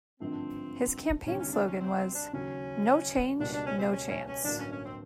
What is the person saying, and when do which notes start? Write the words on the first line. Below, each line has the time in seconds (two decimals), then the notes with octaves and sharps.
His campaign slogan was "No change, no chance".
0.20 G#1 G2 D3 F3 A3 C4
1.26 D2 C3 D#3 G3 C#4
1.39 C#4
1.53 D4
1.66 C#4
1.80 C4
1.97 C4
2.15 D4
2.33 D#2 C#3 F#3 C#4
3.39 C#2 B2 G3 A#3 D4
3.52 D4
3.66 C#4
3.78 C4
3.93 C#4
4.10 C#4
4.27 C#4
4.45 A1 G2 D3 F#3 A#3 D4
4.59 C#4
4.72 C#4
4.85 C4